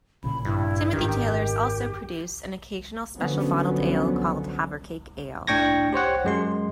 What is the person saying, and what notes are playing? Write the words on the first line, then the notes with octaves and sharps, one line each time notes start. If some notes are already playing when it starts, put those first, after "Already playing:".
Timothy Taylor's also produce an occasional special bottled ale called "Havercake Ale".
A1 A#2 C#3 B5
G2 E4
G#1 F#2 D#3 D4 G4
D3 F3 F#3 B3 C#4
A2 D4 G5 C#6 G#6 A#6
G4 C5 C#5 F#5
F#2 G#3 C6